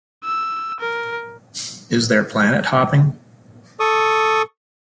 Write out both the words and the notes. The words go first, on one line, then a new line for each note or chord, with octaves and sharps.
Is there planet hopping?
E6
A#4
A4 C#6 D#6